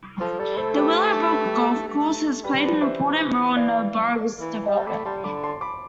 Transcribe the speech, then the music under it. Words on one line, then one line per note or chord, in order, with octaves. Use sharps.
The Willowbrook Golf Course has played an important role in the borough's development.
F3 A4
G3 A4
A3 A4 C5
G4 B4
G4 B4
G4
A4
A3
G3 G4 B4
F3 B4 D5
E3 C5 E5
D5 F5
E3
G3 E5 G5
A3 B5 D6
B5
G3 A5 C6
D3 B5 D6
A5 C6
B5 D6